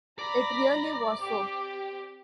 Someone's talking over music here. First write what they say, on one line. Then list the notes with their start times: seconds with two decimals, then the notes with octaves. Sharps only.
It really was so.
0.19 D5 A#5 B5 A#6
1.19 C4 G4